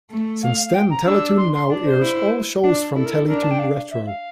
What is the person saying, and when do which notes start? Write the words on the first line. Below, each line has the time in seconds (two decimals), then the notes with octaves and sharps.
Since then, Teletoon now airs all shows from Teletoon Retro.
0.11 A3
0.43 F5
0.66 F5
0.74 G5
0.90 A#5
1.05 D4 E6
1.37 C6
1.54 C6
1.69 D4 D5
1.85 C5
2.01 E4
2.64 D4
2.96 E4 A4
3.05 A#4
3.12 A4
3.28 D4 A#4
3.43 A5
3.51 G5
3.59 F5
3.90 E5
4.06 F5